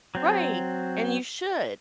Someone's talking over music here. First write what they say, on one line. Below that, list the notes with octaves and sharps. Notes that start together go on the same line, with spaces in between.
Right, and you should.
F#3 C4